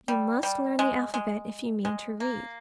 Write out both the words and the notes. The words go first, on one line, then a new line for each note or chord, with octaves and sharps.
You must learn the alphabet if you mean to read.
G3
G3
G#3
G#3
G#3
A#3